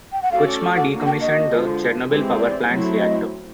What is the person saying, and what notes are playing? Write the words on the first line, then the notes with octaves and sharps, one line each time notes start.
Kuchma decommissioned the Chernobyl power plant's reactor.
G5
F#5
A3 C#4 F#4 A4 D5 F5
F#5
A#3 D4 F#4
G5
D#5
D3 F3 G#3
E3 G#3 C4 E4 G4
D5
F#3 A3 C4 E4
D#5